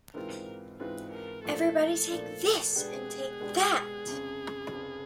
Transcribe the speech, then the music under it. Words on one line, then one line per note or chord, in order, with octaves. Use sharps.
Everybody take this, and take that.
G#2 E3 G#3 C4 F4 A#4
G#2 E3 G#3 C4 F4 B4
A#4
A#2 F3 A3 D4 A4
A#2 F3 A3 D4
B2 G#3 B3 D4 G4 G#4
B2 G#3 B3 D4 G4
F1 F2 C#3
F1 F2 C#3